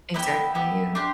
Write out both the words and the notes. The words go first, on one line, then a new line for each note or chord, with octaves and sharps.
Exactly, yeah,
B3 E4 G4 E5
B3 E4 G4
D4 G4 C6